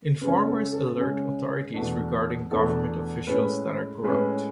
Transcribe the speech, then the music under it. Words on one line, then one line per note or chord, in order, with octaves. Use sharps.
Informers alert authorities regarding government officials that are corrupt.
C#3 G#3 C#4 B4
A4
A4
C#3 G#3 C#4
E2 B2 A3 D4
E2 B2 A3 D4 A4
A2 G#3 C#4 B4
A2 G#3 C#4 B4